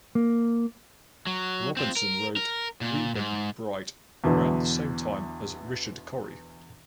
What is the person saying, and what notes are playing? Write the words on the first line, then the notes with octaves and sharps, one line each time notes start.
Robinson wrote "Reuben Bright" around the same time as "Richard Cory".
A#3
F#3
C4 F4
A#4
A#4
A#2
G#2
E2 B2 D3 E3